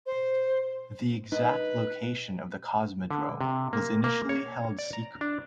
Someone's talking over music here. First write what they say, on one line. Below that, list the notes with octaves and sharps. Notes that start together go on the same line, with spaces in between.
The exact location of the cosmodrome was initially held secret.
C5
D#4 B4
D3
C3
A#3
A#3
C#5
D5
A#5
D4